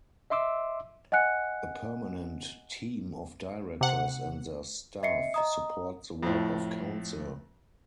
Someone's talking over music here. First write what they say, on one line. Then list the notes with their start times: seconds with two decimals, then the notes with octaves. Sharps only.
A permanent team of Directors and their staff support the work of Council.
0.30 D#5 E5 C6 D6 E6
1.12 D#5 F#5 G#5 F#6 C#7
3.81 C3 F#5
5.03 D#5 E5 C7 C#7
5.34 D#5 A#5 D#6
6.23 F2 A2